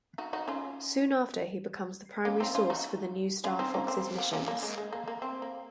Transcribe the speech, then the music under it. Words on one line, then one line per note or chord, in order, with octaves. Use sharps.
Soon after, he becomes the primary source for the new Star Fox's missions.
D#4 F#4
D#4 F#4
C#4 F4
A#3 C#4
C4 D#4
C#4 F4
D#4 F#4
C#4 F4
C4 D#4
A#3 C#4
C4
A#3
A#3 C#4
A#3
G#3
G#3
A#3
A#3
C4
A#3